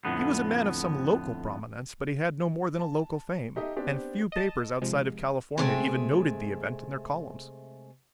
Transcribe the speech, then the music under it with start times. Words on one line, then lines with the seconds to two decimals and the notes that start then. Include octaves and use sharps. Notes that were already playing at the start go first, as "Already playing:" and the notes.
He was a man of some local prominence, but he had no more than a local fame, and few papers outside of California even noted the event in their columns.
0.05 F2 A2 D3 B3
2.79 A5
3.56 D#4 G4 A4 D#5 E5
3.76 B3 C4 D4 G4 C5
4.32 D#5 A5
4.82 C3 F3 G#3
5.58 C3 G#3 A3 E4 G#4 G5